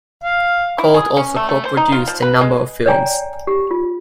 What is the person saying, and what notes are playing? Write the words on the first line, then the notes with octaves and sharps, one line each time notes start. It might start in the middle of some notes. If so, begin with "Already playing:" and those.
Cort also co-produced a number of films.
F5
E4
G#4
C#4
A3
A3
C5
D#4
F4
F3
B4
G#3
C#5 D5 G5 G#5 A#5
G4
F4